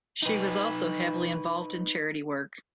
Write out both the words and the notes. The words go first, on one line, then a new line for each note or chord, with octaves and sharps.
She was also heavily involved in charity work.
D#4 B4